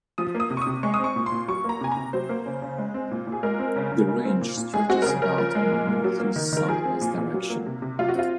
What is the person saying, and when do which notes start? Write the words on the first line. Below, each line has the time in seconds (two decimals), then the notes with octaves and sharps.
The range stretches about in a northeast-southwest direction.
0.18 F3 D#6
0.35 A#3
0.40 D#6
0.50 C3
0.57 C#6
0.61 D#6
0.67 C3
0.83 G#3 C#6
0.94 D#6
0.99 C4 C#6
1.16 A#2
1.26 C6
1.32 A#2
1.48 F#3 C#6
1.64 A#3 A#5
1.81 C3 G#5
1.92 A#5
1.97 C3
2.13 F#3 C5
2.29 A#3
2.46 C#3
2.62 C#3
2.78 G#3
2.94 C4
3.11 A#2
3.27 A#2
3.32 G#4
3.43 G#3 A#4
3.59 C4
3.76 C#3
3.92 C#3
4.08 G#3
4.24 C4
4.41 A#2
4.57 A#2
4.74 G#3 G#4
4.89 C4 F#4
5.02 A#4
5.06 C#3 G#4
5.22 C#3 A#4
5.38 F3 A#4
5.55 G#3
5.71 A#2
5.87 A#2
6.04 F#3
6.20 A#3
6.36 D#3
6.52 D#3 A#4
6.68 F3 G#4
6.85 C4
7.01 A#2
7.18 A#2
7.34 F#3
7.50 A#3
7.66 C3
7.82 C3
7.99 F#3 F4
8.08 F#4
8.15 C4 F4